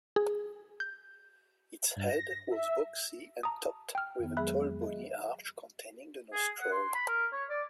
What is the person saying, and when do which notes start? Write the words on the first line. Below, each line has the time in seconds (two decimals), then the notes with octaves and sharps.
Its head was boxy and topped with a tall bony arch containing the nostrils.
0.16 G#4
0.80 G6
1.96 G2
2.09 A#6
2.51 E5
3.43 A5 A#5 D#6
3.95 G5 F6
4.19 F2 D#3 B3
4.37 F#3 G#3 G#4 E5 B5 F#6
4.82 G#4 D#5 E5
6.33 G#4
6.59 F#5
6.72 C6
6.95 B5
7.08 A#4
7.33 C#5
7.50 D5